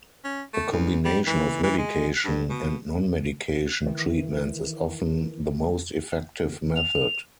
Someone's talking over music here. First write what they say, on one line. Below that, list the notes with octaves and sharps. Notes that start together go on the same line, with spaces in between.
A combination of medication and non-medication treatments is often the most effective method.
C#4
A3
E2
G3
E3
E3
G#3
G2
B2
D#3 E3
F7